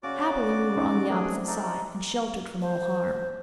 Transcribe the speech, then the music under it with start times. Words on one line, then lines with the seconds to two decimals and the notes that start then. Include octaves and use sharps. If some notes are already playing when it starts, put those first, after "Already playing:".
Happily we were on the opposite side, and sheltered from all harm.
0.03 C#3 F#4 D5 D6
0.77 C#4 D#4
1.10 C3 F#3 A3 D4 G#4
1.47 D#4 F#4 A4 D5 E5
2.61 C5